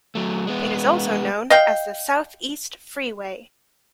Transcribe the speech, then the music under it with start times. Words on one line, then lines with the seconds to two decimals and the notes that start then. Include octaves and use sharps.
It is also known as the Southeast Freeway.
0.15 F#3 A3
0.47 G#3 B3
1.50 D#5 F5 G5